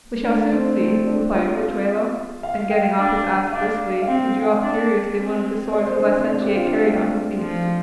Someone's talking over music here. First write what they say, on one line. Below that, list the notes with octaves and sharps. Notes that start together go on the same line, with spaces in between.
"We shall soon see," replied Corchuelo, and getting off his ass briskly, he drew out furiously one of the swords the licentiate carried on his beast.
A3 D4
C4
A3 C4
D4
C4 F4
F5
G5
D4
D4 F5
F5
C4 G5
G5
D4
C4
D5
C5
D4
C4
D4
G4
F4
D4
A3
F3